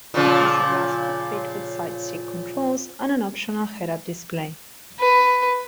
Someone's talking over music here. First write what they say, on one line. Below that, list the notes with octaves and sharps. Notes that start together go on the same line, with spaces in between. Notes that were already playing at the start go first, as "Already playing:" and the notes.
It has a glass cockpit with side-stick controls and an optional Head-up display.
A#2 C#3 F3
B4